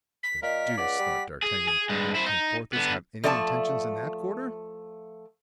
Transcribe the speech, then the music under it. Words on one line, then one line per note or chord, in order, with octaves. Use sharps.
"The deuce," thought D'Artagnan, "can Porthos have any intentions in that quarter?"
B6
A#2 A#4 D#5 B6
C#2 D5 F#5
G3
G#4
G#4
G2 G#3
E4 C5
D#4
D3 B3
F3 A3 D5 E5 G#5 A5